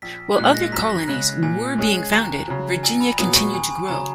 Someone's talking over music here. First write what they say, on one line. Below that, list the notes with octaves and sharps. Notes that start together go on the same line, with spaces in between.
While other colonies were being founded, Virginia continued to grow.
A#1 B6
A#2 G#3 D#4 F#6
A#6
F#2 B6
A#6
C#3 G#3 F#6
A#2 G#5
G#3 C#4 G#4
D#2 A#5
C#3 F#3
A#1 G#5
B5
A#2 F#3 B3 D#6
C#6
D#2 G#5
G#5
C#3 F#3 A#5